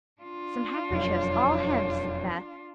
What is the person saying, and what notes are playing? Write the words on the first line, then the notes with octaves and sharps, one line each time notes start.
"Some handkerchiefs, all hemmed," said Beth.
D4 F4
E1 F2 F#3 C#5